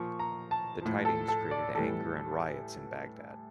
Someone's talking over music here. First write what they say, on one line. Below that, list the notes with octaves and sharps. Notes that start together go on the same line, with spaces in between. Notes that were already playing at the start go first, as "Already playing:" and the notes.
The tidings created anger and riots in Baghdad.
Already playing: A#2 F3 C#6
A#5
A5
A2 F3
A4
A4
D5
A2 E3 G3 A4